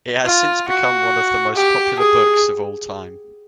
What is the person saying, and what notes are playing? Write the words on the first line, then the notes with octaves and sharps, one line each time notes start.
It has since become one of the most popular books of all time.
F4
F#4
G4
G#4